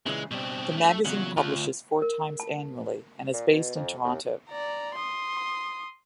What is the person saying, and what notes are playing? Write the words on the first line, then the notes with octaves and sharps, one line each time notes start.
The magazine publishes four times annually and is based in Toronto.
A#2 C#3 E3 G#3
G2 B2 C4
A3
E2 A#2 C#3 F#3
D2 F4
A#4
A5
A#2
B2
F2
D#2
D5 A#5
C6 D#6